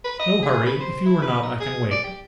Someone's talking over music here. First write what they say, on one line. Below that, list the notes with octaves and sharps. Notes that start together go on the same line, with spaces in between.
No hurry; if you are not, I can wait.
B4
D#5
G#4
B4
C5
E4
B4
D#4
G#4
D5
G4